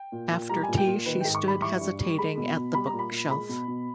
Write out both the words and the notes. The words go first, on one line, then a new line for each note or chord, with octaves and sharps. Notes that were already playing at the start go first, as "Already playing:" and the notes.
After tea she stood hesitating at the bookshelf.
Already playing: G5
A#2
A#2
G3 A#5
G#5
A#2
G5
A#2
D#3 B4
G#2 G5
C#6
G3 B5
E3 C#6
G2
G3
G#3 B5
B2
B2
G3 B5
A#5
A#2
B5
A#2
G#3 B5
B2
B2